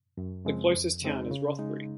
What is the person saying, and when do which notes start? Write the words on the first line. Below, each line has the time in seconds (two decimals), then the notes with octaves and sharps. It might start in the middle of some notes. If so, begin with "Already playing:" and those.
The closest town is Rothbury.
0.17 F#2
0.45 C#3 F3 G#3 C4
0.74 F2
1.02 C#3 G#3 C4 D#4
1.31 C#3
1.59 G#3 D#4